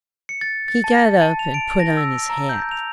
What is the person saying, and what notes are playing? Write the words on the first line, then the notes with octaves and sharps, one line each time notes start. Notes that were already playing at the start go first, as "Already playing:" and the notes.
He got up and put on his hat.
C#7
A6
A6
A5
A5
F7
D7
A#6
E6
A#5
G6
F7